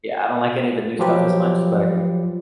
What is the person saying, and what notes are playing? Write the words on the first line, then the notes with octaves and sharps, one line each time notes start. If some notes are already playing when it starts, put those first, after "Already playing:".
Yeah, I don't like any of the new stuff as much, but,
F3 F#3 F4 G4 B4